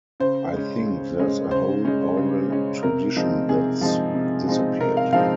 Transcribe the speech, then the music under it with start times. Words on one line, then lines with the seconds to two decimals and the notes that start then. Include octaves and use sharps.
I think there's a whole oral tradition that's disappeared.
0.20 C#3 C5
0.53 G#3 C#4
0.87 C#3
1.19 G#3 C#4
1.51 C#3 C5
1.85 G#3 C#4
2.17 C#3
2.50 G#3 C#4
2.83 C3 A#4
3.16 F3 G#3 C4 D#4
3.49 C3 G#4
3.81 F3 G#3 C4 D#4
4.15 C3
4.48 F3 G#3 C4 D#4
4.81 C3 A#4
4.97 F5
5.13 F3 G#3 C4 D#4 F5